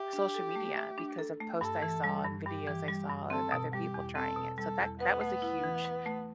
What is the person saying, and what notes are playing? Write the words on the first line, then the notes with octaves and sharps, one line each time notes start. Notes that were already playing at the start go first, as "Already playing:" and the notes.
social media, because of post I saw and videos I saw of other people trying it. So that that was a huge,
Already playing: G4 E5
D4
A4
A3
E5
D4
A4
A3
G2 A4
E3
G3
G2
G2 G4
E3
G3
G2
C4 A4
B2
G3 G4
E2
C4 A4
B2
G3 A4
E2
B3 B4
A3
E4
E3
B4
A3